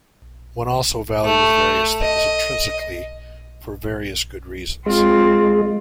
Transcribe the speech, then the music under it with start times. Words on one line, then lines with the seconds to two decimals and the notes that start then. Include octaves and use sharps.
One also values various things intrinsically for various good reasons.
1.24 A3
2.01 D#5
4.86 G#3 C4 F4